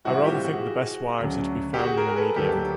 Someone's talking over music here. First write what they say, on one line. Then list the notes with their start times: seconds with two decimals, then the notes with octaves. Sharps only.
I rather think the best wives are to be found in a medium.
0.05 A2 E3 G3 C4 E4 F#4
0.23 F4 G4
0.43 F#4 G#4
1.20 D2 C#3 F#3
1.74 G4
1.78 F#4 G#4
1.97 G#4 A#4
2.09 A#4
2.16 A4 B4
2.36 D2 D3 F#3 A#3 G4 A4